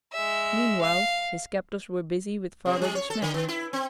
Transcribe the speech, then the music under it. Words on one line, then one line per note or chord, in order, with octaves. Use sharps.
Meanwhile his captors were busy with Father De Smet.
G#3 E5
F5
C3
G3
C#5
A4
D3
D#3
E4
C4